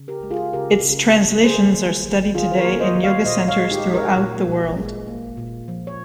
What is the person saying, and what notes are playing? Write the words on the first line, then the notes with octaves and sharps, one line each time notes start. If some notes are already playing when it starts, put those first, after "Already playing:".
Its translations are studied today in Yoga Centers throughout the world.
Already playing: C#3
G4 A#4
G#3
F4 G#4
C#3 G4 A#4
C#3
G#3
A#3 G#4 C5
D#3
G3
D#3 F4 G#4
C5
A#4 C#5
A#3
C5 D#5
D#3
C#5 F5
A#2 C5 D#5
C#5 F5
G#3
D#4 G4
G#3
A#4 C#5
A#2
A#2
G#3
A#3
A#2
F3
C#5